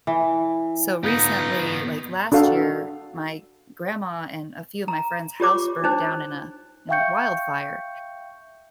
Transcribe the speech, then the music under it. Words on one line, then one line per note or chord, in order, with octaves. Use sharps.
so, recently, like, last year, my grandma and a few of my friends' house burnt down in a in a wildfire,
E3
B3 D#4 F4
D4 F#4 A4 F5
A#5
F4 G4 C#5 D6
D4 D#4 C5
E5 F5 G5 C#6 G6 C#7